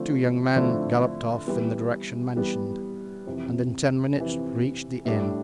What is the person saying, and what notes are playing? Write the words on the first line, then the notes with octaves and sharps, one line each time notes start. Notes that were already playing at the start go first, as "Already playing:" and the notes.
The two young men galloped off in the direction mentioned and in ten minutes reached the inn.
Already playing: D3 F3 A3 C4 E4
D3 F3 A3 C4 E4
E3 G3 B3
E3 G3 B3
F2 C3 E3
F2 C3 E3
A2 G3 D4 A4